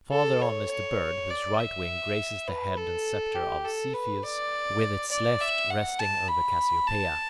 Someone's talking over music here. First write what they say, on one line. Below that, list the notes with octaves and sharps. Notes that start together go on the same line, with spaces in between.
Farther on is the Bird, whose right wing grazes the head and sceptre of Cepheus, with its left resting over Cassiopea.
A4
C#5
C#5
D5
E5
B4
A4
G4
A4
B4
D5
D5
E5
F#5
A5
B5
A5